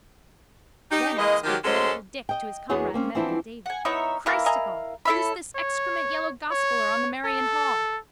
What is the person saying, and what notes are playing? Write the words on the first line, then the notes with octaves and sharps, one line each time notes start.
Then outspake medical Dick to his comrade medical Davy. Christicle, who's this excrement yellow gospeller on the Merrion hall?
D#4 G4
E3 G#3 A#3 D#5
D#3 F3 F#3 G4
F#2 G#3 C#4 A4 C5 D#5
D#5 G5
E2 B3 D4 F#4 G#4 C#5
A#3 C4 C#4
E3 F3 B3 C4 D4 E4
F#5 G#5
B3 D#4 E4 C#5 E5
E3 A#3 E4 A#4 F5
D#5 G#5 A#5
E4 A4 C#5 E5 B5 E6
C#5
C#5
A4